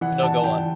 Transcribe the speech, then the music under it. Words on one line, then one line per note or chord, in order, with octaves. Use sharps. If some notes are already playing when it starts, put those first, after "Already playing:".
No, go on.
E3 F#5
A5
E3 G5